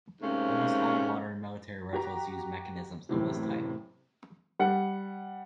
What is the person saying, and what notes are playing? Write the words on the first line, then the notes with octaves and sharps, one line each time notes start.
Almost all modern military rifles use mechanisms of this type.
G#2 C3 A3 A#3 C#4
F#4 G4 A#5
F#1 A2 C3 E3
G3 F#5